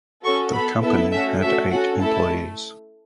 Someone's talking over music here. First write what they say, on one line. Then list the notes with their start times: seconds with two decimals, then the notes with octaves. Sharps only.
The company had eight employees.
0.24 C#4 F#4 A4 C#6
0.53 B3 A4 B5
0.82 B3 E4 A4 E5
1.12 A3 C#4 F#4 E5
1.41 A3 C#4 F#4 A4 E5
1.70 C#4 F#4 A4 F#5
1.99 A3 E4 A4 A5
2.29 A3